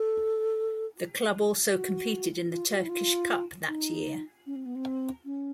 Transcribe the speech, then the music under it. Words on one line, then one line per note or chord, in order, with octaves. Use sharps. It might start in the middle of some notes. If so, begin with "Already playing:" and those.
The club also competed in the Turkish Cup that year.
Already playing: A4
F#4
F4
F#4
E4
F4
D#4
C#4
C4
B3
C4
C#4